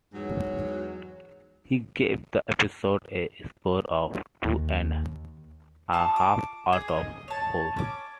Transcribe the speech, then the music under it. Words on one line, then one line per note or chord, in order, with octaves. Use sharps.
He gave the episode a score of two and a half out of four.
E2 G#2 F#3
D#2
F4 A5 C#6
D6
G#4
D#5
C#5 A5
C#4 D6